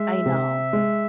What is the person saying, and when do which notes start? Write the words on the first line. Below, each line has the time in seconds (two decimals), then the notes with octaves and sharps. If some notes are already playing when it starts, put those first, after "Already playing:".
I know.
Already playing: G#3 E5
0.26 C3
0.73 G#3